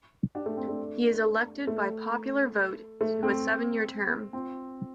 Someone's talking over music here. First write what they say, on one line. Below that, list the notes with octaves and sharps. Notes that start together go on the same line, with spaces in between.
He is elected by popular vote to a seven-year term.
D4 G4
A3 D4
C4
A3 D4
A3
A3
C4
C4 F4